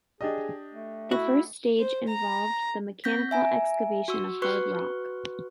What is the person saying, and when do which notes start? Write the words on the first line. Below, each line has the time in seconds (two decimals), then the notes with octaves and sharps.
The first stage involved the mechanical excavation of hard rock.
0.21 D4 G4 G#4 D#5
0.73 A3
1.11 E4 F#4
1.79 C5
2.08 A#5
3.04 C4 G6 A#6 B6
3.31 E5 G#5 A#5
4.08 F#4 C#6 E6
4.42 F#4 B4 C#6 F#6